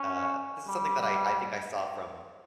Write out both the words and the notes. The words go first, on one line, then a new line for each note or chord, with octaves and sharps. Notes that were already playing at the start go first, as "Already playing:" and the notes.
uh this is something that I I think I saw from,
Already playing: C#4
G3
G3